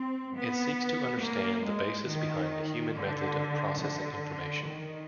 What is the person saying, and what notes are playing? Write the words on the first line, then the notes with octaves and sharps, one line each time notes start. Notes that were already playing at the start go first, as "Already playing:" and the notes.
It seeks to understand the basis behind the human method of processing of information.
Already playing: C4
B3
A#3
G#3
D#3
D3
D3
D#3